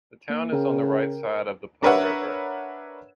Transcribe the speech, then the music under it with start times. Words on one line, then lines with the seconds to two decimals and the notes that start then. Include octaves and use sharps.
The town is on the right side of the Po river.
0.30 A#3
0.53 C#3 A#4 G5
1.83 D4 A#4 B4 C#5 E5 F#5